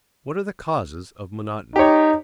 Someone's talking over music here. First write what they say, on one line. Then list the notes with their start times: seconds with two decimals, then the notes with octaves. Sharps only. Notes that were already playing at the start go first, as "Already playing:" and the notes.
What are the causes of monotony?
1.76 D#4 G4 C#5